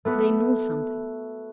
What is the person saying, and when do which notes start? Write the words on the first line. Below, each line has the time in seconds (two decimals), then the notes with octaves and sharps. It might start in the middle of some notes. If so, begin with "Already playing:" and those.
They know something.
0.05 A3 B3 F#4